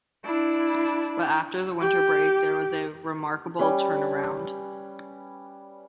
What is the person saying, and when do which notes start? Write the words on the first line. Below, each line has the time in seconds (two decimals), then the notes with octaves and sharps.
But after the winter break, there was a remarkable turnaround.
0.25 D4 E4
1.80 G4
3.59 G3 C#4 B4